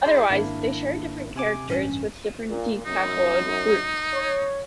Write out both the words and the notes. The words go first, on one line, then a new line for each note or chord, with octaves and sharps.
Otherwise, they share different characters with different decapod groups.
E4 G#4 C6 G6
G#1 A#3 D4 E4
C3 G#5 D6
A1 G2 C#4
A#2
F#2 D#4
C#5